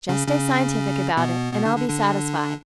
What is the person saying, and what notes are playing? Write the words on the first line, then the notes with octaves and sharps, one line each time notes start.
Just stay scientific about it and I'll be satisfied.
C#3 C#4
C#3 C#4
B2 B3
B2 B3
D3 D4
D3 D4
D3 D4